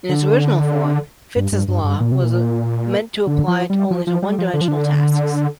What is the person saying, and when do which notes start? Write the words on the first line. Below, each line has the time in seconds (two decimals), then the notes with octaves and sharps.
In its original form, Fitts's law is meant to apply only to one-dimensional tasks.
0.09 D3
1.36 G2
1.52 G2
1.68 G2
1.84 G2
2.00 A#2
2.12 C3
2.24 A#2
3.27 D3
3.48 F3
3.70 G3
3.91 F3
4.07 F3
4.22 G3
4.39 F3
4.54 D3
4.61 F3
4.68 D3